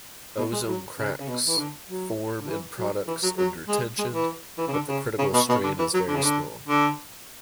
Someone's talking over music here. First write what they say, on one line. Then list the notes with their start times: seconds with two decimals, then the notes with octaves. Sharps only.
Ozone cracks form in products under tension, but the critical strain is very small.
0.38 B2
0.53 G#3
0.67 F#3
0.98 C#3
1.20 C#3
1.28 B2
1.47 E3
1.57 D3
1.88 F#3
2.40 D3
2.48 E3
2.78 F#3
3.08 E3
3.23 F#3
3.37 F#3
3.68 G#3
3.98 G#3
4.13 E3
4.58 E3
4.68 C#3
4.73 D3
4.88 C#3
5.18 C#3
5.34 B2
5.49 B2
5.63 D3
5.79 E3
5.94 F#3
6.08 D3
6.15 C#3
6.23 D3
6.68 D3